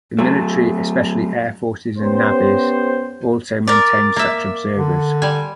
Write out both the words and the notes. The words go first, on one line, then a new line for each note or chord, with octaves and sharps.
The military, especially air forces and navies, also maintains such observers.
F#3 A3
B3 C#4 G4 C5
A#4 D5
A#3 E5
D3
G3 G#5